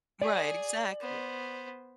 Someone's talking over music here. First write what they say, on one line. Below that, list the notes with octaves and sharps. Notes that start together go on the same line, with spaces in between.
Right, exactly.
G#4 D5
B3 C5